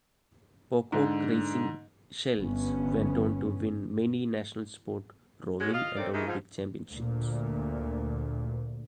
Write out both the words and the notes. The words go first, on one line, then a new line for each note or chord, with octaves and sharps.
Pocock Racing Shells went on to win many national sport rowing and Olympic championships.
G#2 D3
G1 B3 C#4
G#3 B3 C#4 F#4
F4 D#5 F5
A3 A#3 C4 C#4 D5
D#3 E3 G#3
G#2 F3
D2 A#2